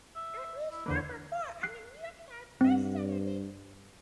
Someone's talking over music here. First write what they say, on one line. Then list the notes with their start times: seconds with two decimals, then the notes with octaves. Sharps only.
It reached number four on the "New York Times" Best Seller list.
0.16 E5
0.71 E4
0.86 E2 D3 A#3 B4
1.63 F#6 C7
2.61 G2 C4